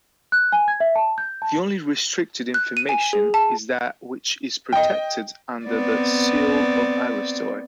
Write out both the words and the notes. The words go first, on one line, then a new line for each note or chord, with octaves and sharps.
The only restricted information is that which is protected under the "Seal Of Aristoi".
F#6
G#5
G#6
E5
A5
G6
A5
F#6
D#7
G#5
G#4
A5
D#5 G5
B3 C4 D5